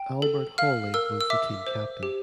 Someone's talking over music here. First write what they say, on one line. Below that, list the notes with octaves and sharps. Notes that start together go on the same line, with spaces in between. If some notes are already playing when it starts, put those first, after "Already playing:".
Albert Hawley was the team captain.
Already playing: G5
A4
F5 F6
A#4 E6
E6
E5 D6
C5
G4